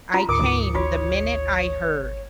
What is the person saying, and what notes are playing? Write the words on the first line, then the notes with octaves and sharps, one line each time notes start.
I came the minute I heard.
F4 F#4 A#5
D2 G#2 A#4 D6 D#6 C#7
G#1 F4 F#4 C#5